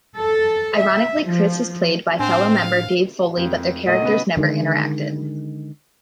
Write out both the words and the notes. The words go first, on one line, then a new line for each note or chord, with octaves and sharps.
Ironically, Chris is played by fellow member Dave Foley, but their characters never interacted.
A4
E5
F3
A2 C4 D4 C5 F5
F5
F2
A#2 A3 D#5 F#5
C#3 B3
D3 D#3 G3 G#3